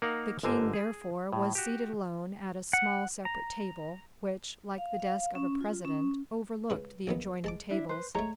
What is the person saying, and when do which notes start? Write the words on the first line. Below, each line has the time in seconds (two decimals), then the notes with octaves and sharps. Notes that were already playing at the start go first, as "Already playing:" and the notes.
The king, therefore, was seated alone at a small separate table, which, like the desk of a president, overlooked the adjoining tables.
0.02 A#3 D#4 A#4 F5 F#5
0.43 G1 G#2 D3 A#4 C5 G#5
0.73 G#4
1.33 A2
1.55 F#4 G4
2.73 F#5
3.25 A#5
4.78 F5
5.00 F5
5.35 C#4
5.61 F4
5.85 C#4
6.70 C#2 C#3 B4
7.07 A#1 D#3 B3
7.44 G#3 A5 D6
7.70 D4 E4 E5
7.89 B4 C5
8.15 G#3 A3 C#5 A#5